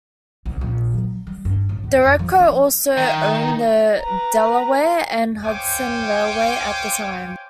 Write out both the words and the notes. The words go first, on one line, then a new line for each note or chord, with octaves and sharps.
Dereco also owned the Delaware and Hudson Railway at the time.
C2
A#1
F#3
G3
G2
A1
D#2
F2
F3
D4
D#3
B4 A#5
C5 C#5 F5 G5 G#5 D6